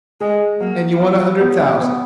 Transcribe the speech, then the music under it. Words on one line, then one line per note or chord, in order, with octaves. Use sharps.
And you want a hundred thousand.
G#3 G#4
F#3 A#3
B3 F4
B3
B3